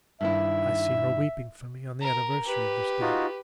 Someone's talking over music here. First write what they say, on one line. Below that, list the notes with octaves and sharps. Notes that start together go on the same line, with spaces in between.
I see her weeping for me on the anniversary of this day.
G2 D#3 E4 E5
A#4
G4 B4
D#4 F4 F#4